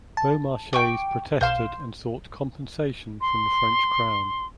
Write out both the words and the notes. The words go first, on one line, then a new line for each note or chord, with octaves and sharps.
Beaumarchais protested and sought compensation from the French Crown.
A5
G5 C#6 D6
B1 C5 F5 C6 E7
C6